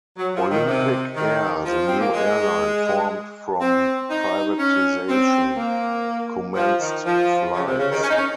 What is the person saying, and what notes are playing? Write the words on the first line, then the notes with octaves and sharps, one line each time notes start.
Olympic Air, the new airline formed from privatisation, commenced flights.
F#3
F3
D#3
C3
D#3
F3
C4
A#3
G#3
C4
D#4
C#4
C4
A#3
F3
D#3
F3
C#3
C3
C#3
D#3
C#4
D#4
C#4